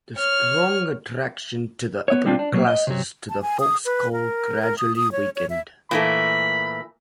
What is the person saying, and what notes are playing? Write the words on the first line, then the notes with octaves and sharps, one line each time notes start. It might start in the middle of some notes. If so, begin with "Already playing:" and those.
The strong attraction to the upper classes to the folkeskole gradually weakened.
C#5 F6
B3 C#5
G3 C4 D4 F4
D4
B2 F#3 A#3
D#5
C3 F#3
A5
G#5
D#6
B4
A#4
A#4
D#6
D#6
C#5
C#5
E5
A#2 E3 A3 B5